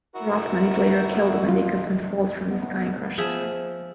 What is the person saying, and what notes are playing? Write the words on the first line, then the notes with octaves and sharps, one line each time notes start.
Rothman is later killed when the equipment falls from the sky and crushes her.
E4 F#4 A#4
F4
B3
F3 G#4 E5